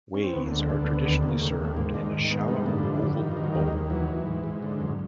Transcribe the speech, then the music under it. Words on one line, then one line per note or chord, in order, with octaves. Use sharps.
"Ways" are traditionally served in a shallow oval bowl.
C#4
C4
D2 B3
A#3
D3
G#3
D2
B3
D3
B3
D#2 B3
C#3
A#3
D#2 A3
A#3
D#2
A3
G#2 A#3
D#3 D4
D#3
G#2 B3
G2 B3
D3 A#3
G2 F3
G2 F#3
D#3
F3
D#3
F#3
D#2 G3
G#3
D#2
E3 F#3
E3
G#2
G#2
D3
F#2